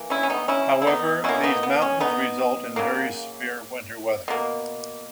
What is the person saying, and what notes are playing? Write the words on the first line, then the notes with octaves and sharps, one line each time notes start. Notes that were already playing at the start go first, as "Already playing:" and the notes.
However, these mountains result in very severe winter weather.
Already playing: E3 A#3
C#4 E4
C#4
B3 D#4
C#4 E4
E4
B3 D#4
B2 A#3 C#4 E4
B3 D#4
B3
C#4
B3 D#4
C#3 F#3 A#3
B2 A#3